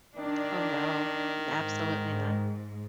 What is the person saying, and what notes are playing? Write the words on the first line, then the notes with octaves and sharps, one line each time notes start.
Oh, no, n absolutely not.
D#3 D4
G#2